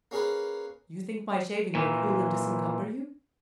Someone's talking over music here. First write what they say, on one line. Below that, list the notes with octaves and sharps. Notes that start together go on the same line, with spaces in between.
You think my shaving will cool and disencumber you?
A#3 C#4 G#4 A#4 B4
A#2 E3